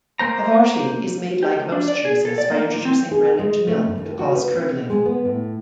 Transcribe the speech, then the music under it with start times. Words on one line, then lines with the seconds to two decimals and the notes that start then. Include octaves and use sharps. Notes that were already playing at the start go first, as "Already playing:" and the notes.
Havarti is made like most cheeses, by introducing rennet to milk to cause curdling.
0.19 A#3 C5 A#5
1.43 G4
1.56 C#2
1.72 D4
1.88 D5
2.05 G#4
2.25 A4
2.38 D5
2.51 A#3
2.68 A#2
2.85 C4
3.12 G#4
3.39 G#3
3.68 A3
3.85 F#2
3.98 D#2
4.19 F#4
4.35 B4
4.54 C4
4.90 G#3
5.06 B3
5.25 A2